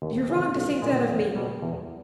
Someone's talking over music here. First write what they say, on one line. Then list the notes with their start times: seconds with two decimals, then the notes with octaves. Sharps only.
You're wrong to think that of me...
0.02 D#2
0.29 C#3 E3
0.55 B1
0.82 A#2 G#3
1.09 E2
1.36 B2 G3
1.62 E2